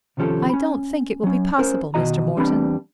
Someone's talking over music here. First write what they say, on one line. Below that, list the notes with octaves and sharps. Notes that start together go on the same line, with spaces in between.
"I don't think it will be possible, Mr. Morton."
C3 D#3 F3 C#4 G4 A4
C#4 B5
F#3 C#4
C#4 A#4 C5
B2 D#3 F#4 D#5 A#5
E2 G3 C4 D4 B4 B5